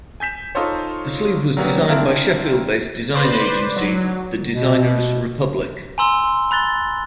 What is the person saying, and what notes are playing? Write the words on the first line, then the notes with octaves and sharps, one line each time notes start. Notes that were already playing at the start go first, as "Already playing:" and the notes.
The sleeve was designed by Sheffield-based design agency The Designers Republic.
G#5 G6 B6 E7
D#4 F4 A4 C5 C#5
F#3 G3 A#3 B3 C#4
C4 D4 E4 A#4 E5 F5
B4 C5 D5
F#3
B2
G#5 A#5 C6 E6 G7
B5 F#6 A6 G7